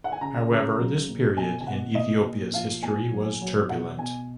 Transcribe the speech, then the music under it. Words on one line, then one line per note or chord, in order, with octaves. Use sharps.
However, this period in Ethiopia's history was turbulent.
F#5
G#5
C#3 A#5
C#3
F#3
A#2
B2 G#5
G#5
B2 F#5
A#2 D#5
A#2
F3 F5
A#2 G#5
F#3
F#3
B2 F#5
B2 G#5